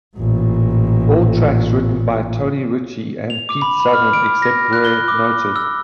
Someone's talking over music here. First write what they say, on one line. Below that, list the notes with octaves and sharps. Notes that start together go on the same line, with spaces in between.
All tracks written by Tony Ritchie and Pete Southern, except where noted.
A1 A#2
F7
D6
B5
B5
F6
D7
A#6
F#6
G7
D6
E6